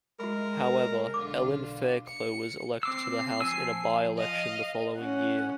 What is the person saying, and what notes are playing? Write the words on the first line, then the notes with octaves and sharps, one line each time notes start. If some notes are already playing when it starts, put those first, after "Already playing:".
However, Ellen Fairclough was elected to the House in a by-election the following year.
G#3 F#4 A#4 E5 B5
B1 D3 F4 D6
C#7
C4 D6 E6 C7
F3 G#5 E6
D#5 F5
C#4 F#5